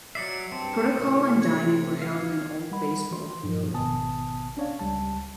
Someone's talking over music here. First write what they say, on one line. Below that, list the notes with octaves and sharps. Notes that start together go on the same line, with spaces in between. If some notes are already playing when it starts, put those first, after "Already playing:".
Protocol and Dining were held in an old baseball field.
F#3 D5 E5 C7 C#7
G2 C4 A5
A2 C3
G#6
F5
G3 F#5 B5
E3 C6
G2 A#2 F3
G#1 B2 B3 G#5 A5 D#6
C#4 D4 C#5 D5 F5
C#2 G3 A5